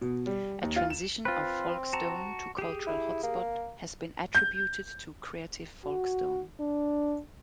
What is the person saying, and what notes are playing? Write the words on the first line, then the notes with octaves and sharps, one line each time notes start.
A transition of Folkestone to cultural hotspot has been attributed to Creative Folkestone.
B2
G3
D#2
F4
E7
C4 F4 B4
F#4 A5 A#5
G4 G#4
E4
A#3
G6
F#4
D4